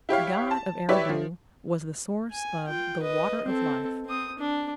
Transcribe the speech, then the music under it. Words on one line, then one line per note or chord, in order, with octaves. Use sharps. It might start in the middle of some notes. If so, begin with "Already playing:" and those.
The god of Eridu was the source of the "water of life".
E4 G4 C#5 F5
A5
E4 G4 B4 C#5 D5 E5
F3
G#5
F4 G5
B4 D#5
C4 A4
C4 D#6
D4